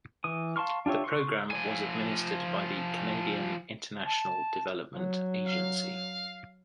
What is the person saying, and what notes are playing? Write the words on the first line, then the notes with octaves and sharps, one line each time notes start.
The programme was administered by the Canadian International Development Agency.
E3 D#6
F5 A5 C6 C#6 F6
D4 F4 G4 C#5 E5
C6 C#6
F3 G#5
A5
F#3
F5